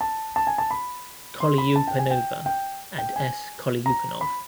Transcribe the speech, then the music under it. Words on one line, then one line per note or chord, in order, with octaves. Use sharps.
Kolyupanova, and S. Kolyupanov.
A5
A5
G#5
A5
B5
C6
B5
A5
G5
G#5
G5
G5
G5
G#5
A#5
B5